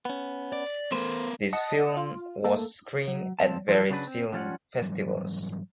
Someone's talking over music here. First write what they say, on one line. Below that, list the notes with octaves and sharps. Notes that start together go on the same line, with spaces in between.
This film was screened at various film festivals.
B3 C#4
D5
E2 A3 B3 A#4 C5
D#5 F#5 A5 C#7
F4
A3 A#3 A4
F#3
F2 F3 C4 A5
F3 D4 A4
C#3 F#3 D4 F#4 B4
C4
D3 F3 G3 C#4 F4 F#5
G#2 E3 F#3 G3